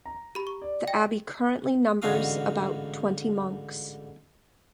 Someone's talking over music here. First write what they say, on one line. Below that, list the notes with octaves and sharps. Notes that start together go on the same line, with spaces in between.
The abbey currently numbers about twenty monks.
A#5
G4 B5
C#6
D5
D#5 G5 A#6
A1 G#2 D3 F#4 F5 D#6